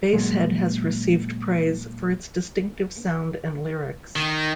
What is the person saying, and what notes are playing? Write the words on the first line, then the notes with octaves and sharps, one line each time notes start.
Basehead has received praise for its distinctive sound and lyrics.
A#2 F#3 G#3
D#3